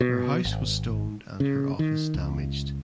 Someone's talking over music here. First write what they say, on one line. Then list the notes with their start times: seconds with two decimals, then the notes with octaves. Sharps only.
Her house was stoned and her office damaged.
0.01 B2
0.45 G#1
1.40 C#3
1.79 D#3
2.14 C#2